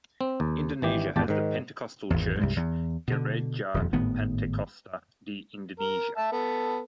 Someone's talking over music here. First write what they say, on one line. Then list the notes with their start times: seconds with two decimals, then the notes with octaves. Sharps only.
Indonesia has the pentecostal church Gereja Pantekosta di Indonesia.
0.21 C4
0.40 D#2
0.82 G#1 E3 G4
1.16 G#1 E2 G4 G5 A5
1.28 G#2 D#3
2.10 G#1 E2
2.39 C2 G2 G#3
2.56 E2
3.08 B2 D3
3.74 D#1 F2
3.93 G#1 A2 D#3 B3
5.80 A#4
6.17 E5 A5
6.32 B3 A4